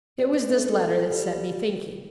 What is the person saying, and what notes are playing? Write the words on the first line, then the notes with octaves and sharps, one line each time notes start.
It was this letter that set me thinking.
G3
G#3
A3
A3
G#3
A3
G#3
G3